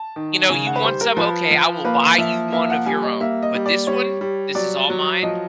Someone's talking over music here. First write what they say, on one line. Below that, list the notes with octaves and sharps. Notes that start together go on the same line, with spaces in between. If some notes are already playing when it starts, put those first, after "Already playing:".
You know, "You want some? Okay, I will buy you one of your own, but this one, this is all mine,
Already playing: A5
D#3
C#3 G#5
F#5
B4
G3 C5
A#4
F3 B4
F3
A#3 B4
F3 E5
A#3 E5
F#5
G3 G#5
D#5
A#3 E5
D#5
G3
D5
G3 C#5
G3
F#3 D5
F#3
F3 D#5